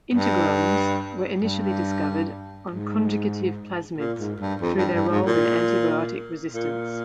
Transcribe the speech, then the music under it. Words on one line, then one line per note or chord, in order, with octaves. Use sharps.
Integrons were initially discovered on conjugative plasmids through their role in antibiotic resistance.
G2
G2
G#2
A#2
G#2
G2
F2
G2
G2
G#2
A#2
A#2